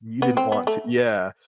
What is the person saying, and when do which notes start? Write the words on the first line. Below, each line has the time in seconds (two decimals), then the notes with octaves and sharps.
you didn't want to" Yeah.
0.22 B3
0.37 C4
0.52 B3
0.67 A3